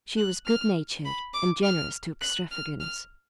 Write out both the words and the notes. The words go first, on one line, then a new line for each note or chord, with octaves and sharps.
She was good-natured, and generous to extravagance.
F#6
F6
B5
D6
F6
F#6
F6
F6